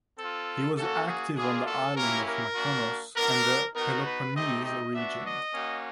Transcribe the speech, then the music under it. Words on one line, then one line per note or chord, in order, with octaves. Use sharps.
He was active on the island of Mykonos and the Peloponnese Region.
C4 F4 A4
A#3 C#4 F#4 A4
G#4
A#3 D4 F4 G#4
A4
A#3 C#4 E4 G4 A#4
A#4
A#3 D4 F#4
B3 D4 F#4 A#4
B3 D#4 F#4 A#4
B4
A3 C4 D#4 G4 D#5
D#5
B3 D4 F#4 E5
D#5
A#3 C#4 F#4